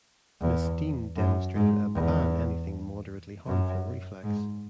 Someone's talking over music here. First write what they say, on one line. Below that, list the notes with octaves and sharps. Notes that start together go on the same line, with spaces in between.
Ms Dean demonstrated a 'ban anything moderately harmful' reflex.
E2
F#2
G#2
E2
F#2
G#2